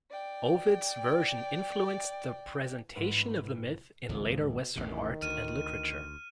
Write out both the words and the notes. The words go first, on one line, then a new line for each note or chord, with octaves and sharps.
Ovid's version influenced the presentation of the myth in later Western art and literature.
D5 G5
A1 G#2 D4 B4 C6 E6
G#1 C#2 F3
B2
A1 E2 C3 D#3
D2 F6 D#7